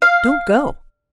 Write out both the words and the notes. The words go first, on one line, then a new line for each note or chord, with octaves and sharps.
Don't go.
F5